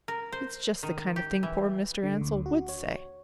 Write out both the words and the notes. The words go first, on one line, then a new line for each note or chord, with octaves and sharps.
It's just the kind of thing poor Mr. Ansell would say.
A#4
C5
D#3
G4
E3
D3
D2
F#4
C#5